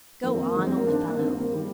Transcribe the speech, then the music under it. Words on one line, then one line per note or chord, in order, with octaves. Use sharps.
"Go on, old fellow."
F2 D#3 A#3
C4
A#3
F2 D#3 G#3
C4
A#3
G2 D#3 D4
A#3
G2 D#3 C4
A#3
D#3 G3